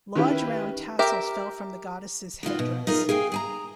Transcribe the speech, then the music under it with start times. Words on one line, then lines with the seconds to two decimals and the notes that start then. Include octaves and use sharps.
Large round tassels fell from the goddess's headdress.
0.16 D#3 C#4 E4 G4 B4
0.99 G4 A#4 E5
2.43 B2 D#3 F4 F#4
2.59 B2
2.87 D#4 F4 G#4 A#4
3.09 G#4 F5 G5 G#5
3.32 G#4 G#5 A#5